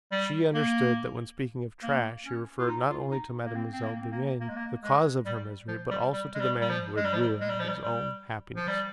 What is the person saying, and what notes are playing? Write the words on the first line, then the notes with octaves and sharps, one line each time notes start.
She understood that when speaking of "trash" he referred not only to Mademoiselle Bourienne, the cause of her misery, but also to the man who had ruined his own happiness.
G3
A#3
A#3
C#4
F4
D#4
F4
D#4
A#3
C4
C4
A#3
C4
A#3
A#3
G#3
A#3
G#3
G3
F3
G3
G3
G#3
G3
G3
F3
G#3
G3
F3
G3
G#3
G3
F3
G3
G3
F3
G3